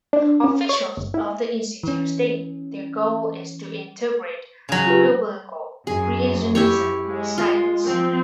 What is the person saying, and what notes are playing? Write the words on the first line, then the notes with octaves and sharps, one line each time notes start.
Officials of the institute state their goal is to integrate Biblical creationism with science.
D4
C#4
C#5
G1
E4
E3 C#4
C#3 F#3
F4 G4 B4
F#2 G#4
E4 G4 C#5
G#3
F4
F3 C4